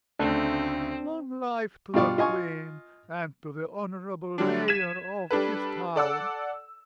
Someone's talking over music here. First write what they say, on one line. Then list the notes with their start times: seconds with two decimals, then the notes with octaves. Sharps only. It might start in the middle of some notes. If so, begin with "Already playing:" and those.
Long life to the queen and to the honorable mayor of this town!
0.19 D2 C#3 A3 C4 D4
1.94 G2 B2 D4 F4 D5 C#6
2.18 F4 D#5 G#5 C#6
4.38 D3 F#3 G3 D4
4.68 G#6 B6 D#7 E7
5.31 G3 D4 A4 B4
5.96 A4 D5 F#5 E6